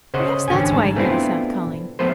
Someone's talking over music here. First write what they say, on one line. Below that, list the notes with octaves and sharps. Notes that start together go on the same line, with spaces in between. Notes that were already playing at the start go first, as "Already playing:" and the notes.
Perhaps that is why I hear the South calling.
C#3 C5 D#5 F#5
A1 D3 C#4 G5 G#5
G#2 A5
A3 B3 C4 D4 E4 F4
F3 A3 B3 B4 C5